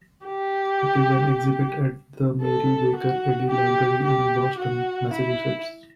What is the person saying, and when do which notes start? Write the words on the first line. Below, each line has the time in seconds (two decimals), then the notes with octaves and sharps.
It is an exhibit at The Mary Baker Eddy Library in Boston, Massachusetts.
0.26 G4
2.42 A4
2.96 F#4
3.50 G4
4.04 G4
4.58 F#4
5.13 E4